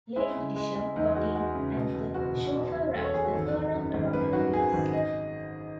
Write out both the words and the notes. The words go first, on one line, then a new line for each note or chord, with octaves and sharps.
Lady Dittisham got in and the chauffeur wrapped the fur rug around her knees.
G#3 E4
C#3
G#3
G#3
E2 D#4
G#3 F#4
G#3 F#4
C#3
B2
E2
F#1 F#4
B2
B2
E2
E2 A4
C#5
E2 G#4
F#4
G#1 A4
G#1
F#2
G#1
F#2 B4
D#3 F#4
F#2 G#4
G#1
D#5